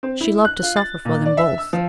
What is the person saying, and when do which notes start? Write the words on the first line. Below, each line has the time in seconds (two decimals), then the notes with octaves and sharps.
She loved to suffer for them both.
0.03 C4
0.21 E4
0.45 F#6
0.63 F4
0.76 A6
1.05 A#2
1.26 D5
1.37 E5
1.58 E6
1.73 F3